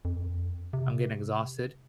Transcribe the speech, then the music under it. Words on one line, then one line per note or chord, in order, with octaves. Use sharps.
I'm getting exhausted,
F2
C3